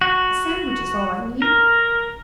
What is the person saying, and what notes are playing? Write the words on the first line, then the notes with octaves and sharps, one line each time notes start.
A sandwich is all I need.
F#4
A#4